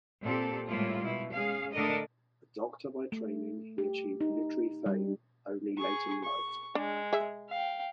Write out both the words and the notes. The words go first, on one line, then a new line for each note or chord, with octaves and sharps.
A doctor by training, he achieved literary fame only late in life.
A#2 C4 G4 A4
A2 G3 G#3 A#3 E4 F4
B2 E4
G#3 C#4 G#4 F5
A2 D3 D4 A4 A#4 D#5
A3
G4
D#4
G3
G#4 C#6
C#6
G#3 D4
G#4 E5
F5 G5